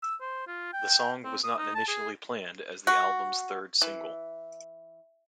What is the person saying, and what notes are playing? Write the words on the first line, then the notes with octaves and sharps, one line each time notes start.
The song was not initially planned as the album's third single.
E6
C5
F4
G5
C4
D#6
D#4
A5
G#4
F#4
E3